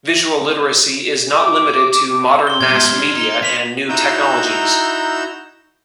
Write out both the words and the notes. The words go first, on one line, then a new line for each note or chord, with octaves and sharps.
Visual literacy is not limited to modern mass media and new technologies.
D6
C6 G7
B2 G3 F6 G#6
G#2 B2 C6 D#6 G#6
D4 D#4
D#4
B3 B6 F7
D#4 E4 F#4 A#5 E6 G6